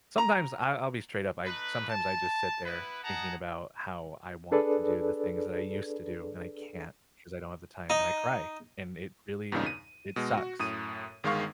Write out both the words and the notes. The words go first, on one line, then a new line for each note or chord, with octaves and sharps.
sometimes I I'll be straight up, I sometimes I just sit there thinking about how I want to do the things that I used to do, and I can't 'cause I don't have the time, and I cry, and it really it sucks.
A#5
A3 D#4 B4
A5
B3 E4 B4
D#4 G#4 F#5 A5 A#5
D4 G#4 A4 B4 D5
D#4
E2 G2 A#2 C#3 D#4
D#7
B2 G#3
F#4
F#2 A2 D#6 D#7
G1 D#3 G#3 D#4 F5 C#6